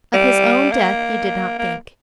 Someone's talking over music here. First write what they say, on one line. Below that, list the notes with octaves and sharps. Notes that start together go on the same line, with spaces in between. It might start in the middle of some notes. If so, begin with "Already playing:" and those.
Of his own death he did not think.
G3
A#3
A#3